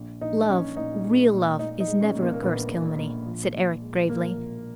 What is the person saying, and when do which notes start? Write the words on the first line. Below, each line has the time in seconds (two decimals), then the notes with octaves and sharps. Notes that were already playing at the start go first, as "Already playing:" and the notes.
"Love--real love--is never a curse, Kilmeny," said Eric gravely.
Already playing: A#1
0.21 A#1 D#4
0.49 A#1 C#4
0.77 A#2 D#4
1.04 G#3
1.32 A#2
1.59 A#2 D#4
1.80 D#4
1.88 G#3
2.01 C#4
2.15 A#2
2.22 A#3
2.34 A#3
2.42 A#1 B3
2.71 A#2
2.99 A#1
3.26 F3
3.54 A#2
3.82 G#3
4.09 F3 A#3
4.38 F3